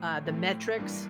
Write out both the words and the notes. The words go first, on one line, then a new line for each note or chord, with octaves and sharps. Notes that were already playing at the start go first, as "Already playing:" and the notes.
uh, the metrics
Already playing: A2 F3 A3 C4
A2 F3 A3 C4
G2 E3 G3 A#3 D4